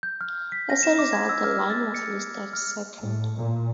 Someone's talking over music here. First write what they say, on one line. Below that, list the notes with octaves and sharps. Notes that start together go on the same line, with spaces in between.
As a result the line was listed second.
G6
F6
B6
A#6
E7
D6
G#6
E6
F6
A6
C#7
F6
A2
A#2